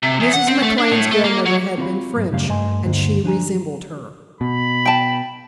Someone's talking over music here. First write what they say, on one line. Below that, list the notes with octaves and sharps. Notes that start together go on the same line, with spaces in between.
Mrs. McLane's grandmother had been French and she resembled her.
C3
E2
F#5
C4
A3
D4
A2
A3
A#3
F#3
C4 F4 F#4 A#4 F5 B5
G#2 F#3 B3
F#2 C#3 G3 A3 G4 F5
G2 A3 D#5 G#5 C6
D2 G2 D3 A#3 C5 F#5
F3 D4 G#5 A#5
B2 B5
G5 A5